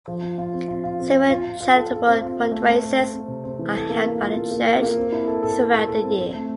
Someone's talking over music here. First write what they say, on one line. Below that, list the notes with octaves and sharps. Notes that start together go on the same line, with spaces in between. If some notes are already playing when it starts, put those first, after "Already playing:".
Several charitable fundraisers are held by the church throughout the year.
F3
F4
F4
C4
F4
F4
C4
F4
F4
F4
F4
A4
A4
C4
F4
F4
A3
C4
C4
C4
C4
C3
C4
E3
A4
A#3
A#3
F4
A#3
A#3
F4
A#3
C4
E4
A4
A4
A4
A4
A4
C4
C4
A3